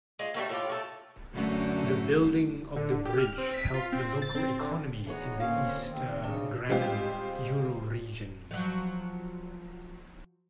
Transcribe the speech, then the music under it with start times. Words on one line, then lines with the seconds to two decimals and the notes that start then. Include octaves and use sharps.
The rebuilding of the bridge helped the local economy in the Ister-Granum Euroregion.
0.19 G#3 F4
0.34 G3 A3 A#3
0.49 A2 F4 G4
0.69 A3 A4
1.33 F#2 D3 A3
2.76 D3
2.90 D3
3.05 G4
3.18 F6
3.38 C4
3.54 B6
3.74 F4
3.92 C4
4.22 A6
4.35 C4
4.60 D3
5.06 E3 B3 D#4 G#4 C#5
5.40 A#2 D3 C4 C#4 F5
5.90 C3 D#3 C4
6.23 C#3 D4
6.69 G3 G#3 C4 F4 G4
8.51 F3 F#3